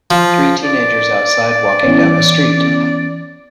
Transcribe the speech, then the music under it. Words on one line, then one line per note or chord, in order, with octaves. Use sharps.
Three teenagers outside walking down the street.
F3
D5
E3 B3 C#4